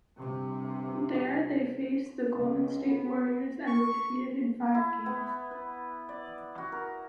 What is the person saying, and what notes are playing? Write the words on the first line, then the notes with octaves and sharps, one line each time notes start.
There they faced the Golden State Warriors and were defeated in five games.
G1 C3
C#2
B3
C#6
E4
B3
B4
D5
F#4
A#4